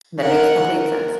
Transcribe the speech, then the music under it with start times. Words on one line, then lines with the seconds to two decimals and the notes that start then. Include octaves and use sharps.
That makes complete sense.
0.21 A#4 F#5
0.61 A#4